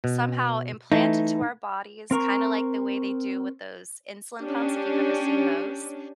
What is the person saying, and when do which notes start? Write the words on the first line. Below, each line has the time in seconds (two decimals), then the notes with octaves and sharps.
somehow implant into our bodies, kinda like the way they do with those insulin pumps if you've ever seen those,
0.04 B2
0.92 E3 A3 D#4
2.11 C4 A#4 A#5 C#6
4.40 C#4 D4 G4